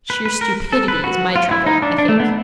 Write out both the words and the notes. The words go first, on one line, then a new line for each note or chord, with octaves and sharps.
Sheer stupidity is my trouble, I think.'
B4
B4
A#4
A4
B4
F#4
F4
E4
D#4
D4
D4
A3
B3